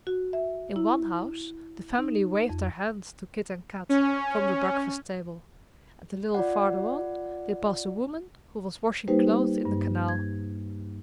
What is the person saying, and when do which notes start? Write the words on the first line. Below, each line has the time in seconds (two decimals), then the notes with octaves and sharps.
In one house the family waved their hands to Kit and Kat from the breakfast table, and a little farther on they passed a woman who was washing clothes in the canal.
0.07 F#4
0.33 E5
0.76 E4
1.98 D#4
2.49 F2
3.89 C#4
6.34 F4 D5 F#5
9.08 G3 A#3 D#4 G4 B4 C5
9.65 G2
10.08 G#6